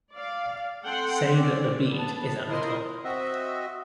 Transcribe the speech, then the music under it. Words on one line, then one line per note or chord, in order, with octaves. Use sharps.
Say that the bead is at the top.
D5 F5
C4 A4 F#5 G5 C6
C4 C#4 D5
B3 A5
E4 F4 A#4 C5 D#5 C6
C4 F#4 D#5 E5